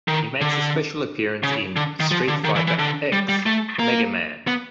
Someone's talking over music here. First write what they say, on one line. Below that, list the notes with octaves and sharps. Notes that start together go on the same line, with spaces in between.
He makes a special appearance in "Street Fighter X Mega Man".
D#3
D3
C#3
D3
D#3
F3
D3
D#3
E3
E3
D3
G3
G3
A3
A#3
B3